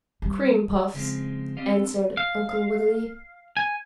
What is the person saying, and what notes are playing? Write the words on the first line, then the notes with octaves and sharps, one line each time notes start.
"Cream puffs," answered Uncle Wiggily.
F#3 G3
C#3 F3 G#3 C4
C4 G4 D5 D#5 F5
C4 D4 A4
F5
G#5